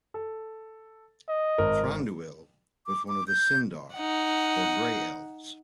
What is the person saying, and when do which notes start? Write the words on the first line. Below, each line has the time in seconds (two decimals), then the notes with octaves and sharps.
Thranduil was one of the Sindar, or Grey Elves.
0.14 A4
1.29 D#5
1.58 G#1 A#4
2.87 D6
3.08 D6
3.28 G6
3.96 D#4 F#5